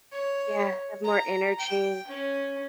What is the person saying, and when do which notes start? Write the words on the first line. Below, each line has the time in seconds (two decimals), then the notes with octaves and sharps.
Yeah, have more energy.
0.12 C#5
1.04 A#5
1.58 G5
2.07 C#4